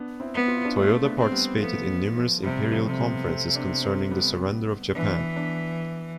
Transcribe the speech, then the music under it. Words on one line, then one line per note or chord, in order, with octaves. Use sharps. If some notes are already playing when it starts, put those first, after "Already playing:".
Toyoda participated in numerous Imperial Conferences concerning the surrender of Japan.
Already playing: B3 D4
C4 E4
B3
F4
E4
D4 F4
A3 C4 E4
B3 D4
C4
G3 B3
F3 A3 B3
F3
C3 G3
G3
F3 A3
C3
G3 B3
A3 C4
B3 D4
A3 C4
G3 B3
E3 B3 D4
B3 D4